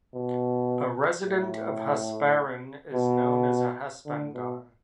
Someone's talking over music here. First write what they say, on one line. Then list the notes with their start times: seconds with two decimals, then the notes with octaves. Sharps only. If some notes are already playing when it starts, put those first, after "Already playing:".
A resident of Hasparren is known as a 'Haspandar'.
0.14 B2
1.25 A2
2.93 B2
4.06 D3
4.34 B2